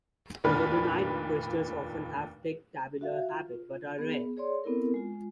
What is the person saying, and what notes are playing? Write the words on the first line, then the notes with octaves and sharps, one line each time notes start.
Rhodonite crystals often have a thick tabular habit, but are rare.
F1 D#2 A#2 D4 B4 F6
F#4 E5 F5
F4
B3 G#4
G#4 C#5 D5 C6
B3 C4 E4 A4 A#4
G#3 F4